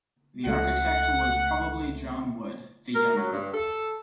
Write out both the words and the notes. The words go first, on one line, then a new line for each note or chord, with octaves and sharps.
The architect was probably John Wood, the Younger.
C#2 A3 F#5
A#4
F#3
G2
A4